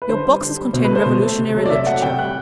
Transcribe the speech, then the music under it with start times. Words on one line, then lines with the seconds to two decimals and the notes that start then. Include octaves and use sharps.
Your boxes contain revolutionary literature.'
0.02 B4
0.09 D3 C5
0.25 G3
0.41 D3
0.58 G3
0.73 B2 C5
0.85 B4
0.90 A3
0.95 C5
1.06 B2
1.22 A3
1.39 C3
1.54 F#3 A3
1.66 D5
1.70 C3 E5
1.87 F#3 A3 F#5
2.02 C3 G5
2.19 G3 F#6